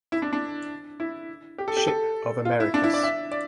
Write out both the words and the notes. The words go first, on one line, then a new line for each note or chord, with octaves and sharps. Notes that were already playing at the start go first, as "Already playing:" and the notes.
Shipp of Americus.
E4
D4
D4
E4
G4
A4
G4
A4
F4
E4
D4
E4
D5
E5
D5